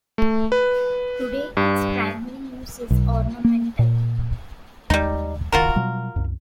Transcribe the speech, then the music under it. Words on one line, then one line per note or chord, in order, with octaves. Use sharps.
Today its primary use is ornamental.
A3
B4
G2
B1
A#3
A#2
D#2 G3 G#3 D#4
D1 C#2 D#3 F4 F#4 A#4
B2 F#3 G3
C2 F#2